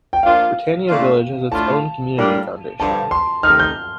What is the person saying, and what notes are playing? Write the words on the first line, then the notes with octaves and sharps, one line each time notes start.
Britannia Village has its own Community Foundation.
G5
F3 A#3 D4 F4 F5
A#2 A3 D4 F4
A2 A3 D4 F4 A5
A2 G3 A#3 D4 F4
G2 D3 F3 A5
C6
C3 D#3 A3 D#4 F6
G6